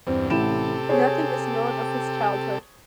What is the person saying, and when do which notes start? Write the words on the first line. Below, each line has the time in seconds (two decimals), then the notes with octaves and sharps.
Nothing is known of his childhood.
0.07 E2 G2 C4
0.30 A1 C3 E4 G4 A4 E7
0.89 G#4 C5 C#5